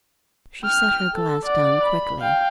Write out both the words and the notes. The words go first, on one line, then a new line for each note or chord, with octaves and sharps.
She set her glass down quickly.
G5 F6
A4
D5 F#5
B5
F5 G5